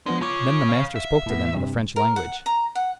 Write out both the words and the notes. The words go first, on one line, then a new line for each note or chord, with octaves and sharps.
And then the master spoke to them of the French language.
F3 G#3 B3 D4
C#3 F4 C#5 D6
F5
E5
A2 B3
G2 C3
A#4
F#5
A#5
F#5